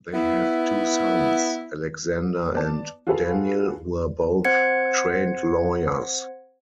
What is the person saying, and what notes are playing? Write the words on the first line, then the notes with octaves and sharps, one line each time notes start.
They have two sons, Alexander and Daniel, who are both trained lawyers.
B3 E4
B3 D5 A5
F4 F#4 G#4 A4 B4 F5
C4 C5 F#5 G#6 C#7